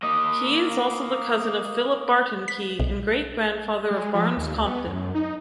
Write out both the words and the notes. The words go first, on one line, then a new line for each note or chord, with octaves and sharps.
Key is also the cousin of Philip Barton Key and great-grandfather of Barnes Compton.
A#3 D#5
B6
B1
G#3
F3
D#2
D2
B3
F#2
D#4